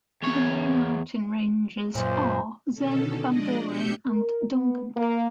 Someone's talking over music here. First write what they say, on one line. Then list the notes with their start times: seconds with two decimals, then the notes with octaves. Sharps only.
The main mountain ranges are Zen, Bambore and Dungan.
0.23 E2 C#5
1.95 C#2 F#2 A#2 C5
2.74 B2 D3 D#3 C#4 A4
3.27 F3 G#3 D4 D5 D#5
3.67 B2 D4 G4 E5 G6 C#7
4.10 A#4
4.51 B3
4.96 A#3